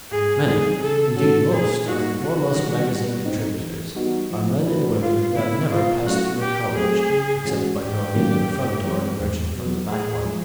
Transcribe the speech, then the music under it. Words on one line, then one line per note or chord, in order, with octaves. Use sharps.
Many, indeed most, of the foremost magazine contributors are men and women who have never passed through a college except by going in at the front door and emerging from the back one.
G#2 G#4
E3 G3 C4 D#4 G#4
C#3 A4
E3 A3 C#4 F#4 A4
A#2 G#4
G3 A#3 D#4 F#4
C3 F#4
D#3 G3
G3
C4 D#4
E3
G3 B3 D#4 F#4
F3
A3 D4 F#4 B4
G2 F4
D3 G3 B3 E4
B2 F4
F#3 A3 C#4 E4 F#4
A#2 G4
F#3 A3 C4 G#4
C#3
E3 G#3 C#4 F#4
G#2 G4
D#3 F#3 A#3 C#4
G2
E3 G#3 C4
E2
B2 F#3 B3
A2 G#4
F3 G#3